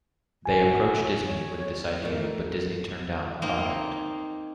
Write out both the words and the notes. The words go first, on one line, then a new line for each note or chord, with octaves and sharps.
They approached Disney with this idea, but Disney turned down the project.
F#4 G#5
C#5
G#2 A3 A#4
A#3 C4 D#4